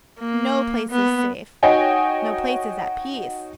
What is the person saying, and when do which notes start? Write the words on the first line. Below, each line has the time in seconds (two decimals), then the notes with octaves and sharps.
No place is safe--no place is at peace.
0.20 A#3
0.91 B3
1.63 D#4 F#4 C#5 D#5 G5 G#5